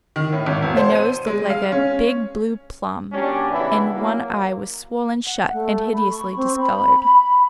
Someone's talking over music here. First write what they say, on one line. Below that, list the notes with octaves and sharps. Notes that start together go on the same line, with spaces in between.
My nose looked like a big blue plum, and one eye was swollen shut and hideously discolored.
D#3
A2
G#1
E1
C5
D#7
G#3
F5
C#4
A#2 F#3 C#4 D4 G4
C#3 E3 B3 D4 E4
F#3 A#3
F#5
A3
B5
C#6
C4
B5